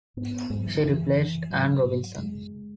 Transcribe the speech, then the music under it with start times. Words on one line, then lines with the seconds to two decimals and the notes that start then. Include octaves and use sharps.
She replaced Anne Robinson.
0.17 G#2 B3
0.50 G#2 G#3
0.58 F#3
0.66 E3
0.75 D#3
0.84 F#2 E3
1.00 C#3
1.18 F#2
1.34 C#3
1.50 G#2 F#3
1.84 G#2
2.18 F#2 G#3
2.34 C#3